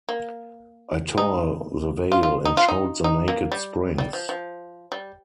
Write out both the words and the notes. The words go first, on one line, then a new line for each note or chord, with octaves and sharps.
I tore the veil and showed the naked springs.
A#3
D#4
F4
F4
D#4
F4
D#4
D#4
A#3
G3
G3
F3
F3
G3